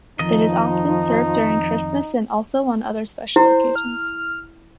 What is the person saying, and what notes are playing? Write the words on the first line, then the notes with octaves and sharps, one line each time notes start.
It is often served during Christmas and also on other special occasions.
F2 D#3 F3 D#4 D#5
E4 C5
F6